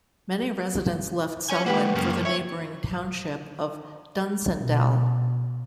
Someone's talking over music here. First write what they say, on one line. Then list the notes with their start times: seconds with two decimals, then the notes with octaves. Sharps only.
Many residents left Selwyn for the neighbouring township of Dunsandel.
1.50 C#5 G#5
1.66 G#3 A#3 G4 B4 F#5
1.95 F#2 C#3 A#3
2.25 C#5 E5
4.61 B2